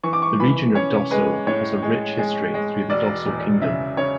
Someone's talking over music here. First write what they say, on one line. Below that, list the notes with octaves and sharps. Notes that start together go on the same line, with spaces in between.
The region of Dosso has a rich history through the Dosso Kingdom.
E3 C#6
D6
C#6
E3 B5
C#4 C#5
G#3 B4
A2 C#5
G#3
G#3
G#3
E1 D5
E2
C#3 E5
C#3 C#5